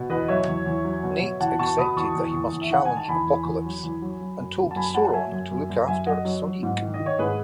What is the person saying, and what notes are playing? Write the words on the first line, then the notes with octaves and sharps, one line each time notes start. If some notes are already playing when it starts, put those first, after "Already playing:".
Nate accepted that he must challenge Apocalypse, and told Soaron to look after Sonique.
Already playing: B2
E2 B4 D#5
F#3 C#5 E5
E2
E2
F#3
B2
B2
E2 F#5 A5
B2 A5 C#6
B2 B5 D#6
E2 A5 C#6
E2
E2
E2
E5
D#3 F#5
D#3 G#5
A5
E2 G#5 B5
E2
E2
F#3
E2
F#3
F#3
F#2
F#2
A5
F#2 G#5 B5
B5
F#3 F#5 A5
F#3 E5 G#5
F#2
F#2
F#2
F#2 E5 G#5
F#2 D#5 F#5
F#3
F#3
G#2
D#3
D#5
D#3
C#5
G#2 G#4 B4